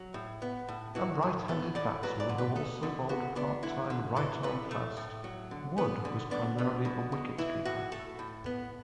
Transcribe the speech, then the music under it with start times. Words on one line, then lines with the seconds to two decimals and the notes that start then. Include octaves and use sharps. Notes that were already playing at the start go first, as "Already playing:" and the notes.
A right-handed batsman who also bowled part-time right-arm fast, Wood was primarily a wicketkeeper.
Already playing: F#3
0.14 A2
0.42 B3
0.68 A2
0.95 E3 F#4
1.23 A2
1.48 B3 A4
1.75 A2 D5
2.03 F#3 B4
2.20 D5
2.29 D3
2.38 B4
2.56 B3 A4
2.83 D3
3.09 B3 F#4
3.36 B3 D4
3.63 D3 E4
3.90 D3
4.16 E3 A4
4.43 A2 B4
4.71 A3
4.97 A2
5.24 F#3
5.51 D3
5.78 B3 B4
6.05 D3
6.31 B3 D4
6.58 B3
6.85 B2
7.12 B2
7.38 E3 E4
7.65 A2 F#4
7.92 A3 A4
8.19 A2
8.46 B3